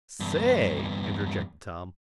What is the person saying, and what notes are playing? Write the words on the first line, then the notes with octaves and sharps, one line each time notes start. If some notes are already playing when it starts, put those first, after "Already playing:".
"Say," interjected Tom.
E2 G2